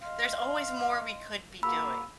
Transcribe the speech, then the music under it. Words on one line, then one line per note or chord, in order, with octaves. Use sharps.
There's always more we could be doing.
D#5 F5 C6
A#3 F4 F#4 G#4 B5 E6